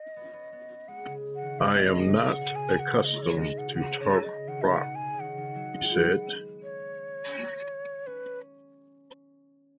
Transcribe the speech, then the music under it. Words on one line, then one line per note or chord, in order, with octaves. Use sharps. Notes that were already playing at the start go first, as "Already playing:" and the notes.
'I am not accustomed to talk rot,' he said.
Already playing: D#5
B3
C#4
B3
B3
G#3 F#5
C#3
F#5
D#3
C#3 D#5
C#3
C#3
B2 F#5
C#3
B2
G#5
C#3
F#5
D#3
B3
G#3 D#5
D#3 C#5
C#3 D#5
B2 F#5
C#3 F#5
C#3 C#5
C#3 D#5
D#3 F#5
D#3 D#5
F#5
B2
G#5
C#3
C#3
D#3 F#5
D#3
F#3
G#3
G#3
B3
C#5
C#4 B4